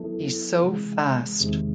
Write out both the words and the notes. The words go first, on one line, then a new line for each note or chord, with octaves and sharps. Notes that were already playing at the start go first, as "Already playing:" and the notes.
He's so fast.
Already playing: F#3 B3 E4 A4
C3 E3 G#3
E2 C3 D#3 G#3